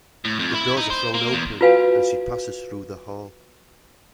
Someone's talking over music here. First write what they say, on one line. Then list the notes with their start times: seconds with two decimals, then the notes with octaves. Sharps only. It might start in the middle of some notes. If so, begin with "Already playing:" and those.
The doors are thrown open, and she passes through the hall.
0.25 A2
0.39 F2
0.54 E4
0.77 D#4
0.90 C5
1.14 A#3
1.33 E2
1.61 F4 F#4 B4 F5 G#5